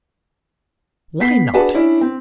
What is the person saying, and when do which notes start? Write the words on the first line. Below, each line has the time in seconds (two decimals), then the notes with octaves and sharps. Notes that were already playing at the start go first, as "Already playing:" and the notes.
"Why not?"
1.20 B3 B6 C7
1.53 D4 F#4 G#4 B4 F#5 A5
1.74 C#4 D4 E4 D5
2.01 C4